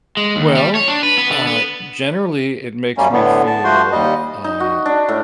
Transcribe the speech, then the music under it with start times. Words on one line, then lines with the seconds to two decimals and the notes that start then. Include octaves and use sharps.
Well, uh, generally, it makes me feel, uh,
0.17 G#3
0.36 D#2
0.55 G3
0.75 C#5
0.88 D4
1.03 B4
1.18 B3
1.31 D3
1.47 B3
2.98 F#2 G3 A#3 C#4
3.12 A2 D3 B3
3.47 A5
3.64 F3 A3 F#4 C5 C6
3.92 D#2 G3 D#5
4.44 D#4
4.60 F#4
4.86 D4
5.09 A2